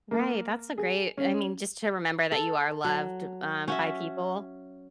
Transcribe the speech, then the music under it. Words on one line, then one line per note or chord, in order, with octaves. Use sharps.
Right. That's a great I mean, just to remember that you are loved, um, by people,
A#3
G#4
C#4
A4
F#3
C#4 F#4 E5